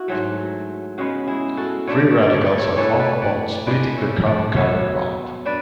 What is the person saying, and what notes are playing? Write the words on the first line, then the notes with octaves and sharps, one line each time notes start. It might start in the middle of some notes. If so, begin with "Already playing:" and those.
Free radicals are formed upon splitting the carbon-carbon bond.
Already playing: E4 F#4
G#2 F#3 A3
C#3 G#3 B3 F#4
E4 G#4
F#4 A4
D3 A3 D4 C#5
D5
C#5
D5
C#5
D5
A4 C#5
A2 E3 A3 A4 C#5
B4 D5
D5 F#5
A2 G#3 D4 B4 D5
C#5 E5
D5 F#5
B2 F#3 B3 C#5 E5
D4 B4 D5